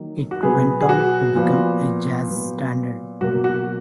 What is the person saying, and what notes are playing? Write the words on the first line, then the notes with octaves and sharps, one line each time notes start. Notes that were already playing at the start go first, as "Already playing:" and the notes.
It went on to become a jazz standard.
Already playing: D#3 F#3 A#3
F#4
B2 F#3 B3 G#4
G#4
F#4
A#2 F3 B3
A#2 F#3 B3
B2 F#3 A#3 F#4
F#4